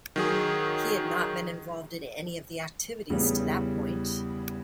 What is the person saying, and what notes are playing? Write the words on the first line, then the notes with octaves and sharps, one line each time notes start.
He had not been involved in any of the activities to that point.
D#3 F#3 G#4
E2 C#3 G3